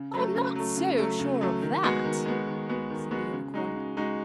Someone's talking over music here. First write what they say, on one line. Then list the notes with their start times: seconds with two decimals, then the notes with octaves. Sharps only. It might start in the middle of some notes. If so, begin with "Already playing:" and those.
'I'm not so sure of that,' said the Unicorn.
Already playing: C#3
0.14 F#3 A3
0.35 C#3
0.55 F#3 A3
0.77 C#3
0.98 F#3 A3
1.19 C#3
1.41 F#3 A3
1.62 D#3
1.83 G#3 B3 F#4
2.04 D#3
2.26 G#3 B3 F#4
2.47 D#3
2.69 G#3 B3 F#4
2.90 D#3
3.11 G#3 B3 F#4
3.32 C#3
3.54 G#3 D#4 F#4
3.75 C#3
3.97 G#3 D#4 F#4